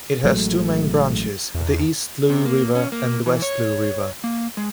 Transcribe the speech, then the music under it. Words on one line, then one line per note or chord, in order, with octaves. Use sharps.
It has two main branches, the East Looe River and the West Looe River.
A1 F#3 G#3 A3
E2
C3
A#3
C#4
A#3
E3
C#5
A#3
G#3